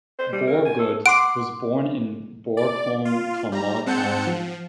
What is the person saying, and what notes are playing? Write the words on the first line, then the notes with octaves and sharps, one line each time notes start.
Borgudd was born in Borgholm, Kalmar County.
C5
G3
A#4
G#5
A4
F#5 C6 D6 D7
D5
F4
G3 A#5
G#2 C4 F#5 A5 G6 C#7
F3